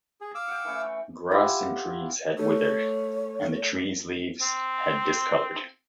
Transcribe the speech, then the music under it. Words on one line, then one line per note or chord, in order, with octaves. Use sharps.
Grass and trees had withered and the trees' leaves had discoloured.
G#4
F5 D6 E6
F#5 G5
E3 A3 C#4
E4 F4 G4 F#5
A3 C#5
C4